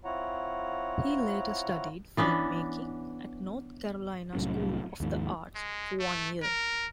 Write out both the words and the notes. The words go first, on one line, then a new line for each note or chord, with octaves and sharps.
He later studied filmmaking at North Carolina School of the Arts for one year.
C4 E4 F4 C#5 F#5 A#5
E3 B3 C#4 D4
C2 A2 F#3 C#4
D#2 G#2 F3
G#3
A3
A#4